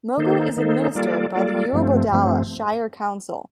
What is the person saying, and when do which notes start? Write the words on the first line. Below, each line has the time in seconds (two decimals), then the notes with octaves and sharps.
Mogo is administered by the Eurobodalla Shire council.
0.17 D#3 A#3 D#4 A4 C5
0.57 D#3 A#3 D#4 A4 C5
0.95 G3 A#3 F4 A4 D5
1.35 G3 A#3 F4 A4 D5
1.73 G2 F3 A3 C4
2.12 G2 F3 A3 C4